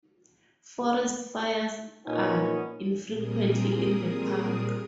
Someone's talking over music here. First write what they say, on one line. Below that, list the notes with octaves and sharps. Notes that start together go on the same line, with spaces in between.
Forest fires are infrequent in the park.
A#2 B3 C#4 D#4
A#2 G3 C4 G#4 A#4 D#6